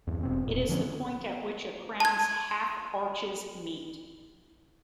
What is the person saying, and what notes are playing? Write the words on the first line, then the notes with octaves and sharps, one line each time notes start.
It is the point at which a crown's half arches meet.
E2 G2
E1 B2 C4
E1 A#2
D3 F3 G3 C#4
A5 G#6